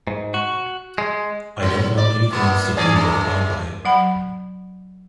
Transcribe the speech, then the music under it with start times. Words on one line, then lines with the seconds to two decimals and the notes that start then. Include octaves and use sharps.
I don't know anything else to do but abide by it.
0.07 G#2
0.34 F#4
0.98 G#3
1.62 F#3
1.98 D5
2.30 C3 A#3 B3
2.77 E3 G#4 D5
2.95 G2 C3 G#3
3.85 F#3 F#5 B5